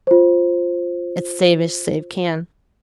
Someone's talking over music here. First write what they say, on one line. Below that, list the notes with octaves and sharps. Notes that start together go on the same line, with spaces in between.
It's save as save can.
F4 C5